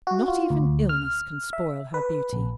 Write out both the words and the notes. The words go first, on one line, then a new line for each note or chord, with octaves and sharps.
"Not even illness can spoil her beauty!"
F#4
F4
D2
F6
E5
B4
A#1